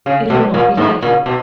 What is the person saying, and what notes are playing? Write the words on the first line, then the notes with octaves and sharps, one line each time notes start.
It would not be likely.
C#3
B2
A#2
G#2
A#2
B2